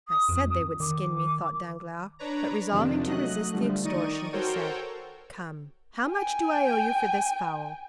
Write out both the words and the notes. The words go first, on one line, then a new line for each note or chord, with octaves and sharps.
"I said they would skin me," thought Danglars; but resolving to resist the extortion, he said, "Come, how much do I owe you for this fowl?"
D#6
F2
D#3 D6
D4 B4 C#5 A#5
F2 C3 D#3 D4
F#3 A3 D#5 F#6
D3 F3 G3 A3
D#3 D#4 D5 D#5 C#6 D#7
F#4 A4 A#4 C5 C#5 G5
G5 G#5